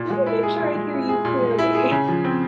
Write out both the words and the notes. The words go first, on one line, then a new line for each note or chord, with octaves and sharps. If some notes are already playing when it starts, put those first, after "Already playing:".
Let me make sure I hear you clearly.
Already playing: A#2
G#3
E4
G#4
A#2
G#3
E4
G#4
A#2
G#3
E4
G#4
C#3
F3
C4